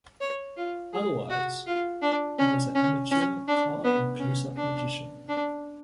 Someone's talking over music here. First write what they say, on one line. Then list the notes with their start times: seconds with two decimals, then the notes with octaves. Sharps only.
Otherwise, he was an amateur card and close-up magician.
0.21 C#5
0.57 F4
0.93 G#4
1.30 F#4
1.66 F4
2.02 D4
2.38 C#4
2.75 C#4
3.11 C#4
3.48 D4
3.84 B3
4.20 C#4
4.56 D4
5.28 D4